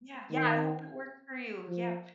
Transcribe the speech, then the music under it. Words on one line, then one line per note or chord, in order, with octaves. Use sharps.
Yeah, yeah, I hope it works for you, yep.
D#3
F3